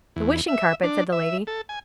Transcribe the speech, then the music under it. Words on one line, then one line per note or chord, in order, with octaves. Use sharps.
'The wishing carpet?' said the lady.
E2
E5
D4
E5
A4
G#5